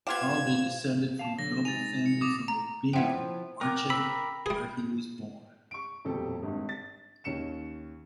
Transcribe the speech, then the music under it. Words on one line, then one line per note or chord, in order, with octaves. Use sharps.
Baldi descended from a noble family from Urbino, Marche, where he was born.
B3 F4 G4 C5 F5 G#6 E7
F5 A5
D3 F#3 A#6
G#3 D#4 G#5 A6 F7
C#7
B1 D6 D#6
A#5
F3 E4 B4 F#5 G5
B3 A#4 G5 D6
A#4 B5 E6
G3 G#4
C#6 D7
D#1 F2 B2 G4 A4
G#1 G2
A6
D#2 C#4 C#7 E7